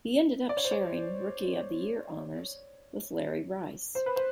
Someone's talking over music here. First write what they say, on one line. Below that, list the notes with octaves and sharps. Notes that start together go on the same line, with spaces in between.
He ended up sharing "Rookie of the Year" honors with Larry Rice.
D5
C#5
C5
C#5
C5
B4
C5